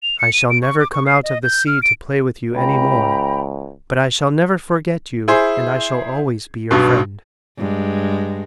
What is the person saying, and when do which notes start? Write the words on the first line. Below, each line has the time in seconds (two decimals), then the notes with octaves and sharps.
I shall never come out of the sea to play with you any more, but I shall never forget you and I shall always be your friend.
0.03 F7
0.19 C#7
0.34 D#7
0.50 D7
0.62 C#6
0.79 D6
0.93 C#6
1.07 C7
1.23 D#5
1.43 G6
1.67 F6
1.83 D7
2.54 C#2 G5 A#5 B5
5.28 E4 G#4 C5
6.71 B1 G2 B2
7.58 G2 G#3